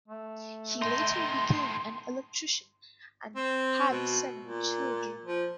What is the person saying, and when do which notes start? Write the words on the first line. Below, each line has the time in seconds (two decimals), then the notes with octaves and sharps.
He later became an electrician, and had seven children.
0.08 A3
0.82 A2 D#4 C6
3.36 C4
3.90 B2
4.42 A#2
5.25 F3